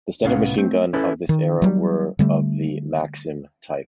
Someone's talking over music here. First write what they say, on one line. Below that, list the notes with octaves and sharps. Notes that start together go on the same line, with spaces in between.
The standard machine guns of this era were of the Maxim type.
C2 A2 B3 C#4 F5
A3 C4
C#4 E4 G#4 A4 B4
D#3
F#3 G3
D3 G3 A3